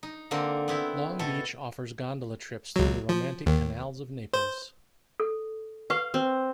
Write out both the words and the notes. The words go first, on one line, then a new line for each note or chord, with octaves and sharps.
Long Beach offers gondola trips through the romantic canals of Naples.
D#4
D3 A#3 C4
B3 C4 E4
B2 A3 A4
C#2 F#3
F3
D#2
C5
A4
B4 F5 F#5 C#6
C4